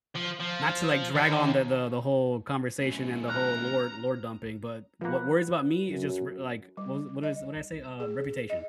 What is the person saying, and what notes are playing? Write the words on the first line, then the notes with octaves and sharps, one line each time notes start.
not to, like, drag on the the the whole conversation and the whole lore lore-dumping, but what worries about me is just, r like what is wh what is what did I say? Reputation.
F3
F3
D#2
F#2 A2
A#5 F6 F#6
F3 A#3 B4 F#5
F#2 F#3
G3
D#5
G#4
D#5